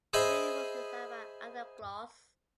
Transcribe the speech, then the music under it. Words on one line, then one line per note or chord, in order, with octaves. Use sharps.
The Building was designed by Adolf Cluss.
G#4 C5 D#5 E5 B5